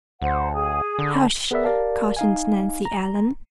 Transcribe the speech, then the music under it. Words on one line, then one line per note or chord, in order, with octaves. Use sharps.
"Hush!" cautioned Nancy Ellen.
D2 C5 F#5
G#4
D3
B3 G#4 A#4 B4 D5 E5
G4 A#4 D5 F5 A5
D#4 F5 G#5
A#5